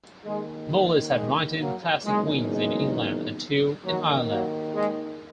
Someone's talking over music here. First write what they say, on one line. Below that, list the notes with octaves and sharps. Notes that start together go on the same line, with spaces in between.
Murless had nineteen classic wins in England and two in Ireland.
D#2 D#3 G#3
F#3
G#3
F#3 A#3
F#1 E2 D#3 G#3
G#3
D#2 D#3 F#3
F#3 A#3
G#3